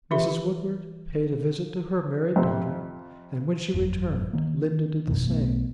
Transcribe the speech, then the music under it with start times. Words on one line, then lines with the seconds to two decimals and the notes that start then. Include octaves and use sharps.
Mrs. Woodward paid a visit to her married daughter, and, when she returned, Linda did the same.
0.11 E3 F4 G4 E5 B5
2.36 F2 C3
3.74 G1 F2 F#3
4.33 D#3 A#3
5.08 G1 F2 B2 D#3
5.28 B1 A3 B3